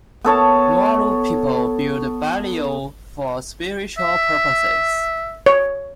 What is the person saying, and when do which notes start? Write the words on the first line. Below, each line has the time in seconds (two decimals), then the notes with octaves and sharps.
Nualu people build Baileo for spiritual purposes.
0.24 B3 A4 C#5 A5
3.98 E5
5.46 C#5